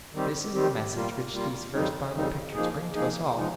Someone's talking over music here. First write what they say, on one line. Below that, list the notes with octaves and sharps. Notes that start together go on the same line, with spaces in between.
This is the message which these first Bible pictures bring to us all.
D#3 G3 C4 G4
D#3 G3 C4 G4
G3 A#3 F4
G3 A#3 F4
F2 C#3 G3 C4 D#4
F2 C#3 G3 C4 D#4
F3 A#3 D#4 G#4
F3 A#3 D#4 G#4
A#2 F3 G#3 D#4